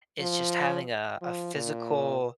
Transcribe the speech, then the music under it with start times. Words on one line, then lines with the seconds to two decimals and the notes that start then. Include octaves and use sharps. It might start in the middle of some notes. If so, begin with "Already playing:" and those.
is just having a a physical
0.20 F3
1.22 F3
1.55 A#2